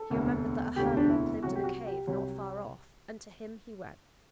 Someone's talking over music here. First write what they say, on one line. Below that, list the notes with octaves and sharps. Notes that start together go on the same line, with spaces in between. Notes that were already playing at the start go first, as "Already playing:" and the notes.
He remembered that a hermit lived in a cave not far off, and to him he went.
Already playing: A4
E1 D2 C3
E1 D2 C3 G4
D4
E4
C2 C3 F#3 F#4
G4
F#4
G4
C2 C3 F#3